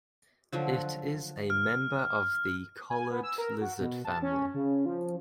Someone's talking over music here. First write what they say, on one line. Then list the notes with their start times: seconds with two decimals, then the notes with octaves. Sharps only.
It is a member of the collared lizard family.
0.52 D3 F3 F#3
1.50 F6
2.90 G#5
3.11 B3
3.23 E6
3.38 A#4
3.61 F#4
3.80 B2
4.05 A5
4.22 C#4
4.54 C#3
4.86 F3